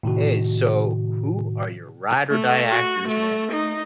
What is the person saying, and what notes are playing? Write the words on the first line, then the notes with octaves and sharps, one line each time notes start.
Hey, so who are your ride or die actors, man,
A2 C3 D#3 F#4
A3
F#4
A3
D#4